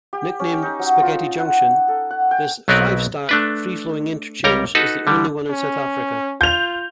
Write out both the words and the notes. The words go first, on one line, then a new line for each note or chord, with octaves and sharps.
Nicknamed "Spaghetti Junction", this five-stack free-flowing interchange is the only one in South Africa.
G4
C#4
D#4
F#3
F4
F#5
A4
F#5
G5
B1 F#3 B3 C4 A#4 B4
A3 D4 B4
C#2 G3 A#4 C#5 G5 A#5
D#4 F#4 A4 B4
D3 G3
C#4
F4 G6 F7